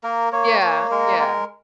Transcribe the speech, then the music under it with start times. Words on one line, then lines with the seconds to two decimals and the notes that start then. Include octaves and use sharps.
Yeah, yeah.
0.04 A#3 A#4
0.33 A#3 C#5
0.61 A#3 C#5
0.91 G#3 A#4
1.19 G#3 A#4